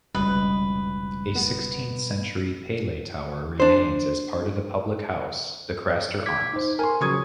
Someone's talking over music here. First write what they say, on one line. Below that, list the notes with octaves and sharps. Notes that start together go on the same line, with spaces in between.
A sixteenth-century pele tower remains as part of the public house, "The Craster Arms".
F1 C#2 B2 G3 B4
B3
D4 C5
D6 G#6 B6
D#4 C5
A#4 G#5 C6
C#3 F3 F#3 C#6 D#6 G#6